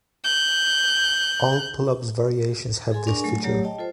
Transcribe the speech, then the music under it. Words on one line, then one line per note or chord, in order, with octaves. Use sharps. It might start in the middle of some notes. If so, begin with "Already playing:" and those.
All Pull-ups variations have this feature.
F#6 G6
G#4 A4 G#5 C6
D4 G#4 A#4 D5 G#5 C#6
F#3 A3 A4 G#5
F#3 A3 G4 C#5 D5 A#5
D5 D#5 G5 A5
F4 A4 C5